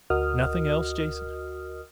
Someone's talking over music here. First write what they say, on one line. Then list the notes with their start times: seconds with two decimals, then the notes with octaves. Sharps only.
"Nothing else, Jason?"
0.10 D2 F#4 A#4 D#5 D#6 F6